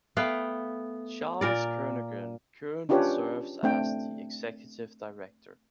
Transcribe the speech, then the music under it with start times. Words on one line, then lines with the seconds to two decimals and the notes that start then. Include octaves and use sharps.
Charles Kernaghan currently serves as the Executive Director.
0.17 A3 B3 F5 G5
1.41 A#2 A#4 D5
2.89 C#4 D4 F4 G4 B4 C#5
3.63 A3 C4 D4 G5